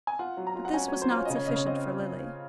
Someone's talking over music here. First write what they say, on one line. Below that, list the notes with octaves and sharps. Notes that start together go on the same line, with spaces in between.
But this was not sufficient for Lily.
G#5
F4 F#5
F#3
A#5
F4
F#5
C#4 G#5
F#3 C#5
C5
F4
C#5
C#3 D#5
C#5
C#3 D#5
C#5
C4 D#5